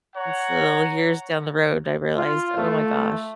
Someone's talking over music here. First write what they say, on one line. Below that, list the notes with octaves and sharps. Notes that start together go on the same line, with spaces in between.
until years down the road, I realized, oh my gosh,
C#5 F#5 A#5
F4
A3